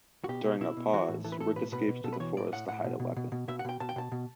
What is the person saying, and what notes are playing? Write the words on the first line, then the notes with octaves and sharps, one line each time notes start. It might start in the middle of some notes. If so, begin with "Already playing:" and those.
During a pause, Rick escapes to the forest to hide a weapon.
F#4
B2 G4
B2
B2 E4
B2
E3 F#4
A2
E3 A4
B4
A2 A4
B2 B4
B2 B4
B2
B2 A4
B4
E3 C#5
A2 D5
A2 F#5
A2 F#5
B2
B2
B2
B2
B2 E5
F#5
B2 G5
B2 A5
G5
B2 A5
B2